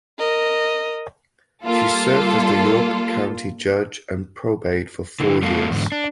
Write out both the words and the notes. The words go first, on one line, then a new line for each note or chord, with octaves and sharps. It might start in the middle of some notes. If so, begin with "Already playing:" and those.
She served as the York County Judge of Probate for four years.
A#4 D#5
G3 A#3 F4 A4
D3 E4
G#3 A#3 F#4 A4 F5
E2 G#2 D3
D4